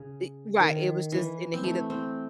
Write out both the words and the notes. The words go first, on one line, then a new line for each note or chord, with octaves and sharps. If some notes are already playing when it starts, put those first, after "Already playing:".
eh right, it was just in the heat of
Already playing: C#3
D#3
E3
C4
A3
C4